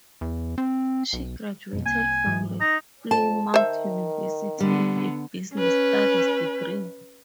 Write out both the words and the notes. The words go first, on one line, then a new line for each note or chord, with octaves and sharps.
She graduated from Plymouth University with a Business Studies degree.
E2
C4
B1
F#1 F2 B2
C2 A#3 G#5
G#2 E3
D#4 A#5
F2 A5
D#3 C5 E5
D3 G3 B3
C#4 B4